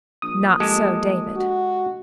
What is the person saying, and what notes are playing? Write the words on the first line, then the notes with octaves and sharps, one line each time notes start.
Not so David.
A#1 D#6
G#3 G4 A4
F#4